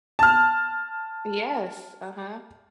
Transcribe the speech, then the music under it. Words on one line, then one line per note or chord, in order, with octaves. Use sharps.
Yes, uh-huh.
A5 F6